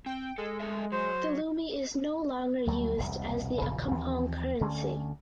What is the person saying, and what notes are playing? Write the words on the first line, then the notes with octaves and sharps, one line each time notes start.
The lumi is no longer used as the Accompong currency.
C4 G5
G#3 A4
A4 D#5 E5
F#3 C5
D2 F#3 G3 A3
E1 C2 B2
D#1 A#1 E2 C#3
D#2 E3 F3 C4
D2 D3 A3 C#4